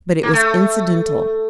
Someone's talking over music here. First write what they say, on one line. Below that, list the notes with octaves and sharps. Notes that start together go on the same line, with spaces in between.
But it was incidental.
A#3
A3